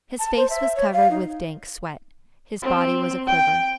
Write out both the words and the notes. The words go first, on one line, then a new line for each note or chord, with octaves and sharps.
His face was covered with dank sweat, his body was aquiver.
A5
C5
E5
C#5
F5
D#4
C4
G5